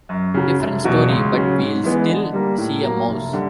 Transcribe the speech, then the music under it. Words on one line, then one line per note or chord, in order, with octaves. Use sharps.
Different story, but we'll still see a mouse.
F#2
C#3 F#3
F1
E2 B2 F#3
C#2
C#3 F#3
G#2
E3 G#3 B3
D3
G3 A#3
A2
F#3 A#3
F1
D3 G3